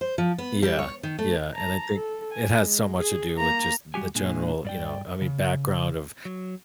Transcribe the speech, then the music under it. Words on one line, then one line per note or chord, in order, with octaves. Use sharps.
Yeah, yeah, and I think it has so much to do with, just, the general, you know, I mean, background of
C5
F3
B3
G3
C#5
D#3
A3
A5 A#5
A4
G#5
G#3
G#4
A#3 A#5
G3 F#4 G4 G#5
A#2 G#3 D4 G#5
G2 D5 G5
C#3
F#3